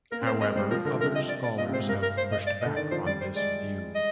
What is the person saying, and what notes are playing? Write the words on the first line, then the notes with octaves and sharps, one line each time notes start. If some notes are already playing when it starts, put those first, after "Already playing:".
However, other scholars have pushed back on this view.
A#3 A#4
C4 C5
A#3
G#3 D#5
G3 C5
F3 A#4
D3 A#4
C3 A#4
D#5
D5
D5
A#2 D#5
C3 C5
G#2
G2 A#4
A#4
C5
D#5
D5
D#5
D3
D#3 D5
F3 C5
G3 D5
C5
G#3 D5
D#5